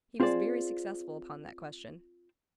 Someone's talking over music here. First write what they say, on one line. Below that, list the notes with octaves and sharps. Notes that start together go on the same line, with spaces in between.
He was very successful upon that question.
C4 F4 G#4 C5 D5